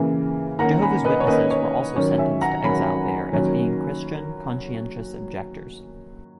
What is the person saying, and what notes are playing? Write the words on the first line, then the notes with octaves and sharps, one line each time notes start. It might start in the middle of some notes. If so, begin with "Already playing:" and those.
Jehovah's Witnesses were also sentenced to exile there as being Christian conscientious objectors.
Already playing: C#3 E3 A#3
D#3 A#3 C#4 F#5 A#5
G#5 B5
B4 D#5
C#5
D#3 A#3 C#4 B4 D#5
C#5
D#3 F#3 C#4 C#5
E5 G#5
F#5 A#5
D#3 F#3 C#4 G#5 B5
D#3 F#3 A#3 C#4